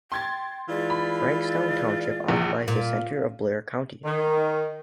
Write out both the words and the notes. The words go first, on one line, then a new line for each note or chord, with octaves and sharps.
Frankstown Township occupies the center of Blair County.
G5 C6 G#6 A6
E3 G#3 F4 D5
B5
A#1 E2
A#2
D#3